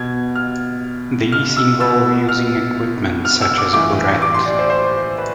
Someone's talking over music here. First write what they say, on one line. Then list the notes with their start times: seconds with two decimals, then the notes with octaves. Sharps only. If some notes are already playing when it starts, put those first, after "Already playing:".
These involve using equipment such as a burette.
Already playing: B2 G#6
0.35 F6
1.32 F6
1.57 E6
1.80 B2 E6
2.29 F6
3.25 F6
3.41 E6
3.58 D6
3.73 A2 E3 D6
4.22 D6
4.34 C6
4.46 D5
4.59 C5
4.70 C5
5.18 B4